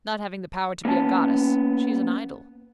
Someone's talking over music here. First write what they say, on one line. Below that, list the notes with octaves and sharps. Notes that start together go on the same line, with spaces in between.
Not having the power to be a goddess, she is an idol.
A#3 B3 C#4 A5